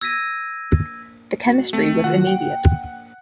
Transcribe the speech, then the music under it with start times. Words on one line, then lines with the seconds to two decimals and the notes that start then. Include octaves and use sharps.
The chemistry was immediate.
0.01 E6 G#6 A#6 B6 D#7
1.47 F#4
1.73 A3 C4
2.04 D#3 F4 F#4 F#5
2.27 G5